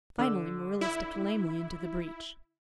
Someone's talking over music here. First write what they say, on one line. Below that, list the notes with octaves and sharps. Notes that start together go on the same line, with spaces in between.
Finally Marilla stepped lamely into the breach.
D3 E6
E4